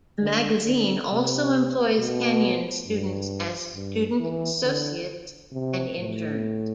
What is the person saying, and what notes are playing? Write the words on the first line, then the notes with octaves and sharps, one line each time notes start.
The magazine also employs Kenyon students as student associates and interns.
D3
D3
C3
B2
G2
G2
E3
D3
C3
A2